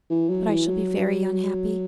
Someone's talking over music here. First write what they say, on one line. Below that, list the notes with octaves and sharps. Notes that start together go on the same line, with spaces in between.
But I shall be very unhappy.
E3
F#3
E3
F#3